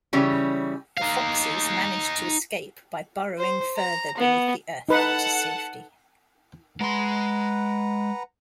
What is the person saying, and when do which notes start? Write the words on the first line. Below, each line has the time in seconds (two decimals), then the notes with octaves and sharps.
The Foxes manage to escape by burrowing further beneath the earth to safety.
0.13 C#3 E3 G3 C#4
0.97 D#4 F5
3.38 C5
3.76 A#5
4.17 B3
4.89 D#4 A4 B4 F#5 A5
6.81 G#3 B4 F#5 A#5 C6